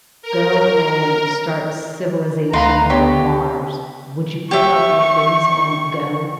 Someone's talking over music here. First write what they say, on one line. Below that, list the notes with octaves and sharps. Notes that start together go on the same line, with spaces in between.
go and start civilization on Mars, would you pick up your things and go?
A#4
D2 B4 E5 F5 A#5 C6
B3 G4 C#5 C#6
G4 E5 C#6